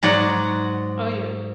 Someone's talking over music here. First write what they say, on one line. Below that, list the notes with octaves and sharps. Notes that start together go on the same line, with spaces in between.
Oh, yeah.
G#2 F#3 D5 F#5